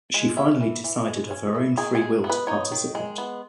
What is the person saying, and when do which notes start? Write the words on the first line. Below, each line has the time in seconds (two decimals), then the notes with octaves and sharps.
She finally decided of her own free will to participate.
0.14 G#3
0.37 C#4 E5
0.61 E3
0.84 E3
1.08 G#3
1.31 C#4
1.54 E3
1.77 D#3 G#4
1.95 G#4
2.02 G#3
2.24 B3
2.30 B4
2.47 D#4 C#5
2.72 D#3
2.95 G#3
3.18 B3